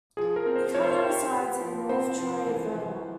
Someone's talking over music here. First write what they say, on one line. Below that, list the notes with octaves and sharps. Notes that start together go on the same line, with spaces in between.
He currently resides in North Troy, Vermont.
F3 G#4
A#4
C4
C5
F3 C#5
C5
C#5
G4
G4
F3
C4 C5
F3
E3
E3